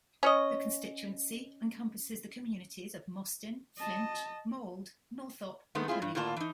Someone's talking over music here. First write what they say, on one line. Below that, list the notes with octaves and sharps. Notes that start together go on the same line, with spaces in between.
The constituency encompasses the communities of Mostyn, Flint, Mold, Northop and Holywell.
C#4 C#5 D#5
D#5 A5
D#3 G#3 A3 B3
C4 E4 F4 G#4
G2
A2 A#3 F4 B4 A5
E3 D#4